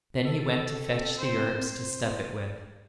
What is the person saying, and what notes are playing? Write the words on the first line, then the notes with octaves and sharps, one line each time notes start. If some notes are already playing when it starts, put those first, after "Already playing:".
Then he went to fetch the herbs to stuff it with.
A4
C4
C5
C5